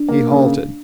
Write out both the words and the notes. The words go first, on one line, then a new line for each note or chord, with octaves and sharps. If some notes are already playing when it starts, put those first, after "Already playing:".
He halted.
Already playing: D4
A#3
C#3